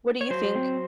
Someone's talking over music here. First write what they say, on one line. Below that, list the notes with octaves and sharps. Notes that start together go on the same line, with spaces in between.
What do you think?
C#5
F#3 C5
C4